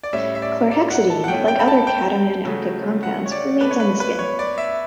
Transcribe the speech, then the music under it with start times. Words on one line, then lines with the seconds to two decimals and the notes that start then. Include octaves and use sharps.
Chlorhexidine, like other cation-active compounds, remains on the skin.
0.03 D5
0.13 A2 G3 C#4 E5
0.35 E5
0.42 D5
0.71 D5
0.90 F#5
1.10 A5
1.24 F#5
1.28 B2 A3 C#4 G5
1.48 G5
1.59 B5
1.68 A5
1.87 G5
2.45 C#3 F#3 A3 C#4
3.03 F#5
3.26 C#5
3.31 D5
3.61 B2 A3 D4 B4
3.71 C#5
3.80 B4
4.00 B4
4.19 C#5
4.39 D5
4.58 E5